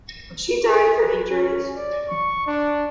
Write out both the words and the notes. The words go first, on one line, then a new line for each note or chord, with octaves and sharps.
She died of her injuries.
G#4
B4
C#4
D5
C#6
D4